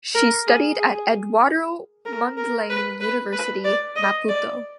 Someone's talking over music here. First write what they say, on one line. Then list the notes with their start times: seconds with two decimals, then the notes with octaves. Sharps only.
She studied at Eduardo Mondlane University, Maputo.
0.15 A#4
0.47 G#4
0.79 G#4
2.06 A#4
2.37 A#4
2.69 B4
3.01 B4
3.32 B4
3.64 D5
3.96 D#5
4.28 D5